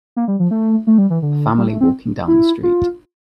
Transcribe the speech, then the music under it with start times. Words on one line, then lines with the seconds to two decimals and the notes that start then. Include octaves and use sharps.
A family walking down the street.
0.16 A#3
0.28 G3
0.40 F3
0.51 A3
0.87 A3
0.98 G3
1.10 E3
1.22 D3
1.57 G3
1.69 A3
1.81 C4
2.28 E4
2.63 F4